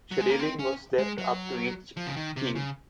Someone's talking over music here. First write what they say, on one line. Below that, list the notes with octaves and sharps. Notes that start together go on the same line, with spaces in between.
Scheduling was left up to each team.
F#3
G#3
A#3
C4
C#4
G#3
F#3
F3
C#3
D#3
C3
C#3